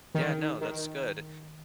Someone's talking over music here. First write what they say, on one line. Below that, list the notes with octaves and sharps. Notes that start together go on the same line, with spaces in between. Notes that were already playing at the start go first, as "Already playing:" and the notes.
Yeah, no, that's good.
D#3
D#3